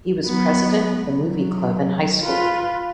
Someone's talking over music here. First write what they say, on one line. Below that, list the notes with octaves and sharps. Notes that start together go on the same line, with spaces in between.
He was president of the movie club in high school.
F#3 B3
F#3
F4 B4